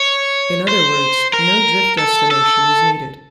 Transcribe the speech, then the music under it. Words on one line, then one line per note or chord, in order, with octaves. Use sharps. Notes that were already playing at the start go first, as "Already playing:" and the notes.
In other words, no drift estimation is needed.
Already playing: C#5
C5
A#4
A4
A4